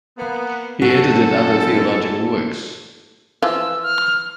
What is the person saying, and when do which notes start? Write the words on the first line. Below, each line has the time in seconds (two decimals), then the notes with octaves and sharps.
He edited other theological works.
0.17 A#3 B3
0.82 F#2 F#4 A4
3.42 E3 F3 F4 E6
3.83 F6